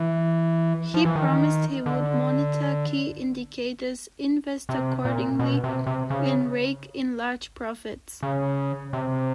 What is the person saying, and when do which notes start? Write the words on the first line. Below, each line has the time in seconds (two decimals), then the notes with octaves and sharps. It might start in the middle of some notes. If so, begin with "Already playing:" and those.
He promised he would monitor "key indicators", invest accordingly, and rake in large profits.
Already playing: E3
0.94 F3
1.05 E3
1.16 D#3
1.86 D3
4.69 C3
5.05 A#2
5.39 B2
5.64 C3
5.87 C3
6.10 C#3
8.23 C#3
8.93 C3